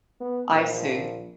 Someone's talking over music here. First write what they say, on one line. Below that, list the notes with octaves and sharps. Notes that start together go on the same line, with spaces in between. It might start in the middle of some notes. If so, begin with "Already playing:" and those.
I see.
B3
A#1